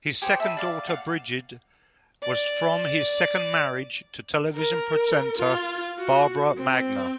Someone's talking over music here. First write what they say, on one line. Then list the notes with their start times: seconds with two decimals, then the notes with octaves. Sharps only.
His second daughter Brigid was from his second marriage to television presenter, Barbara Magner.
0.22 G4 G#4 C5 C#5
0.40 E5 A5 B5
0.57 D5 F5 D6
0.87 F5 F#5
2.23 D5
4.55 A#4
5.38 F4
5.98 F#4
6.58 C4